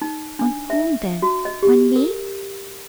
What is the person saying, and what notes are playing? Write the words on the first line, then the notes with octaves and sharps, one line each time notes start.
"On whom, then!--on me?"
D#4
D4
E5
F#4
D#5
G4
A#4